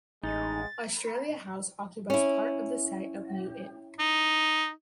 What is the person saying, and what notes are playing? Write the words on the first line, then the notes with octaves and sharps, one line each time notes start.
Australia House occupies part of the site of New Inn.
A1 G#3 D#4 A6
C#4 E4
D#4